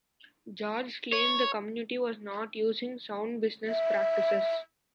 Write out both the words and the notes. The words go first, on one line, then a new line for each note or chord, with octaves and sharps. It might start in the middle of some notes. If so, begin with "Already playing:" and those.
George claimed the community was not using sound business practices.
C#5
E5